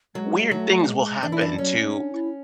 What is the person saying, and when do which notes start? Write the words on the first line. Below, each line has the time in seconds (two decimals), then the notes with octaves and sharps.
weird things will happen to
0.15 F#3 G#3
0.51 F#3 A3
0.87 G#3
1.23 E3 D4
1.32 E4
1.41 D4
1.58 F#3 C#4
1.77 A3
1.94 D4
2.13 E4